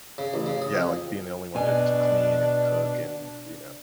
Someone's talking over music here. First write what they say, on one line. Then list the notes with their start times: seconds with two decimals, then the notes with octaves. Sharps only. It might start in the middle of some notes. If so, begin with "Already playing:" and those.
Yeah, like, being the only one to to clean and cook and, you know,
0.18 C#3
0.34 A1
0.46 C#3
0.62 D#6
0.75 F2
1.55 B2 D4 G#5